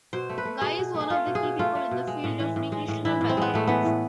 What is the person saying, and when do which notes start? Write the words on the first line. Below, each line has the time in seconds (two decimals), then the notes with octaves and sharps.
Guy is one of the key people in the field of recreational mathematics.
0.13 B2 C5
0.29 A3
0.38 B4
0.45 A3
0.62 B2 G#4
0.79 B2
0.94 A3
1.01 G#4
1.10 A3 F4
1.27 B2
1.35 G#4
1.43 B2
1.59 A3 F4
1.75 A3
1.91 B2
2.07 G#3
2.24 A2
2.40 E3
2.56 A2
2.72 G#3
2.88 A2
3.05 E3 E4
3.21 A2
3.29 C4
3.37 G#3 B3
3.54 A2 A3
3.67 E3 B3
3.85 A2